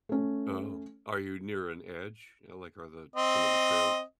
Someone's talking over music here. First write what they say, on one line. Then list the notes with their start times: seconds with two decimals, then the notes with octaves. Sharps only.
Oh, are you near an edge, you know, like, are the some of the trails
0.09 A3 C#4
3.16 C4 D#5